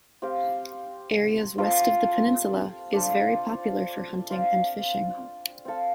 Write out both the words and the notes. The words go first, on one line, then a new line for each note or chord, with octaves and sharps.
Areas west of the peninsula is very popular for hunting and fishing.
C4 G4 C5 F5
C4 F4 A4 C5
D4 A4 C5 F5
C4 F4 D5 F5
C4 A4 F5